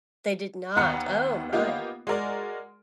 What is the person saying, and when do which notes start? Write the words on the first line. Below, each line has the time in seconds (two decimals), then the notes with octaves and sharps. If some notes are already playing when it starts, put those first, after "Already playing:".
They did not. Oh my.
0.76 D#2 B3 A#5 F#6 C#7
1.53 A#3 B3 D#4 F4 G4
2.07 G#3 F#4 A#4 D5